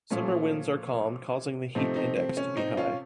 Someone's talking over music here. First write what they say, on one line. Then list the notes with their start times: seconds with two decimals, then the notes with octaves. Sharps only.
Summer winds are calm, causing the heat index to be high.
0.10 A#2 F3 A3 C#4
1.75 C3 F3 A3 C4 D#4
1.95 C4 D#4
2.16 C4
2.37 C#4
2.57 C4 D#4
2.77 C#4 F4